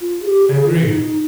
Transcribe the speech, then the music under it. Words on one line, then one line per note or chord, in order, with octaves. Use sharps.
I agree.
F4
G#4
G4
G#4
F4
D#4